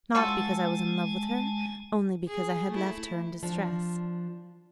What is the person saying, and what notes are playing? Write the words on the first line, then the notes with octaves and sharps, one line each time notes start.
Not because I was in love with her; only because I had left her in distress.
G#3 F4 F#4 A4 G#5 A5
G#4
A3 E4
F3 D4